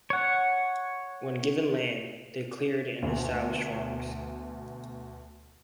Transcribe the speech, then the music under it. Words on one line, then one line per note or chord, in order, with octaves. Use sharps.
When given land, they cleared and established farms.
C#5 F#5
D2 B2